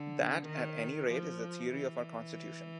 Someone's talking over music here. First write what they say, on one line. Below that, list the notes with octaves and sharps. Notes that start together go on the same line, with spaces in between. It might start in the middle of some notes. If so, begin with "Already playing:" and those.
That at any rate is the theory of our Constitution.
Already playing: D3
D#3
F3
E3